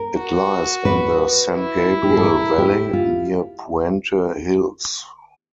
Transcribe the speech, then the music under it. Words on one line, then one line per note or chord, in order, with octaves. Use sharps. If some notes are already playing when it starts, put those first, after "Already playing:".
It lies in the San Gabriel Valley, near Puente Hills.
Already playing: A#4
F#4
B4
E4
G4
G#4
A4
A#4
G4
F4